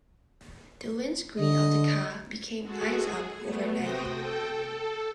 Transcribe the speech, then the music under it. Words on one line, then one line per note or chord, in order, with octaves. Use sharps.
The windscreen of the car became iced up overnight.
D3 D#5
G#3 F#4 A4
G#4
A3 B3
C3 F#4 C5 G5 D#6 A#6
A4 G5
A4